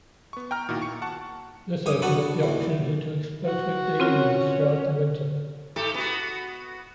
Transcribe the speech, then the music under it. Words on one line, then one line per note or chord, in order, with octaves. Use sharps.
This opened up the opportunity to exploit weekday evenings throughout the winter.
B3 C#6
G5 A#5 F6
A#2 D#3 E4 F#4
C#6 C#7
F#5 A5 C#6
G2 G4 G#5 D#6
B3 D4 F#4 A4 A5 B5
D#2 E3
F#4
C4 C#4 F4 A#4
G#2 G4 A4
B3 F#4